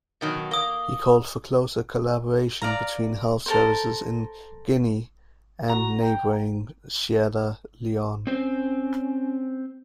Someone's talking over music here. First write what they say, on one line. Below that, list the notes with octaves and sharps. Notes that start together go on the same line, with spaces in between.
He called for closer collaboration between health services in Guinea and neighbouring Sierra Leone.
B2 D#3 F#3
A#3 D#6 G7
D5 F5 A#5
A4 A#4 C5
F#4 A#5
G5
C4 C#4 C5